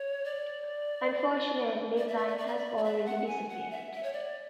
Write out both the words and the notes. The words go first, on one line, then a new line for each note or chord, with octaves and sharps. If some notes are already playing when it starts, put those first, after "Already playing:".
Unfortunately, Wang has already disappeared.
Already playing: C#5
D5
D5
E5
D5
E5
D5
E5
D5
D5
E5
F#5
G#5
F#5
E5
E5
C#5
D5